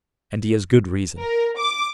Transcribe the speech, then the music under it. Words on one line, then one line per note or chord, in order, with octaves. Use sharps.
And he has good reason.
A#4
D6